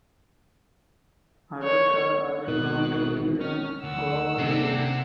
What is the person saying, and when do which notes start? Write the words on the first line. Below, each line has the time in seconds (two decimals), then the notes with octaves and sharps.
Adults are also known to feed on guava leaves.
1.64 C#5
2.48 G#1 B2 F#6
3.41 C#4 F6
3.84 D2 F#5 E6
4.38 D#1 C3 C4 D4 G4